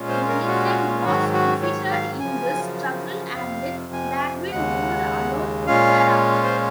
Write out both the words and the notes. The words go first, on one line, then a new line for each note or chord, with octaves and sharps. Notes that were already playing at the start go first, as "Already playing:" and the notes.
Melisende was defeated in this struggle and Baldwin ruled alone thereafter.
Already playing: A#2 G#3 C#4 F4
C5
A#4
F#4
G#2 D#3 F#3 F#4
F#4
C#5
F5
F#2 C#3 F3 G#5
F2 C3 F3 F5
G#5
D#2 C#3 G#3 F#5
A#2 G#3 C#4 F4 F5
C5